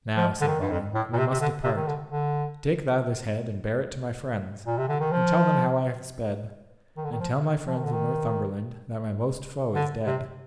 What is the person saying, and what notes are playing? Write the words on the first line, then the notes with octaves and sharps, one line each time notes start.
Now, said Balin, we must depart, take thou this head and bear it to my friends, and tell them how I have sped, and tell my friends in Northumberland that my most foe is dead.
F3
D3
D#3
G2
F2
A2
A#2
C3
C3
D3
C3
D#3
D3
D3
A#2
C3
D3
D#3
F3
D#3
D3
D#3
F3
F3
D#3
D3
D#3
D3
C3